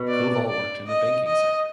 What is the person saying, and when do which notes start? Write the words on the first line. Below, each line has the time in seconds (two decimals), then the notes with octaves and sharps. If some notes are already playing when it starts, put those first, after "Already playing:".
Koval worked in the banking sector.
Already playing: B2
0.08 D5
0.48 D5
0.87 D#5
1.27 D#5